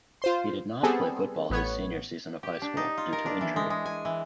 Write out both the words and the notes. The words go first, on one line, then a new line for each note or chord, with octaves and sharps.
He did not play football his senior season of high school due to injury.
F4 C5 C6
G3 B3 C4 G#4 A4
A1 B3 C#5
G4
D4
D#4
F4
A#4
D4
E3
G#3
G#3
G#5
E3